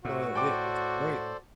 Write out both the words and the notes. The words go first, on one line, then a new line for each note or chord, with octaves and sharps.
So, i it's great.
A2 F#4
A4 C5 D5 G5 D6